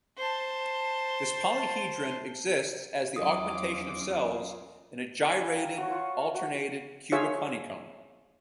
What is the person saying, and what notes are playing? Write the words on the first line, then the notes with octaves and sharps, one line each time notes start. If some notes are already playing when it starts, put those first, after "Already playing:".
This polyhedron exists as the augmentation of cells in a gyrated alternated cubic honeycomb.
C5 A5
E2 F#3 C#4 F4 D#5 D6 D#6
D5 F5 G#5 B5
G5 A#5
F#4 C#5
F4 F#5 C#6
F#4
F4 G#4 C#5 E5